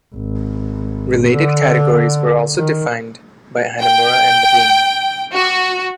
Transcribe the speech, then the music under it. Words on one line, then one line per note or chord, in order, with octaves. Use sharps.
Related categories were also defined by Hanamura and Levine.
G#1
D3
D#3
G5
F#4